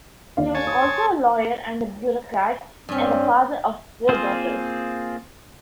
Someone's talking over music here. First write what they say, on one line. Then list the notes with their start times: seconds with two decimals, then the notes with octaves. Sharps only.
He was also a lawyer and a bureaucrat and the father of four daughters.
0.37 D#2 D5 F5
0.55 C#5 G#5 A5
0.67 D#6
0.82 C6
2.89 G2 C4 C#4
4.09 A#3 C4 F4 G#4 C5